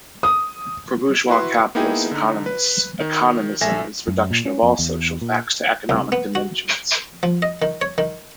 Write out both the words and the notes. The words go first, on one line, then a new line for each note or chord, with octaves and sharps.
For bourgeois capitalist economists, "economism" is reduction of all social facts to economic dimensions.
D#6
E4 F#4 B4 C6
A#3 B3 D#4 E4 G#4 G5
D3 D#4
B4
D#3
A#1 A4 E5 G#5 A#6
F#2
A#2
C#4
F2
E2
A#2
C2
B3
F#4
F3
D#5
D#3
C#5
D#3